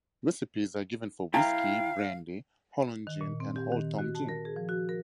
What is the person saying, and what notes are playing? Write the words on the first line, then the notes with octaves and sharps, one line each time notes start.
Recipes are given for Whiskey, Brandy, Holland gin, and Old Tom gin.
E4 F5 G5 A#5
D#3
A#2
C4
G4
D#3
F#4
A5
A#4
G#4
F3
F#4
A#4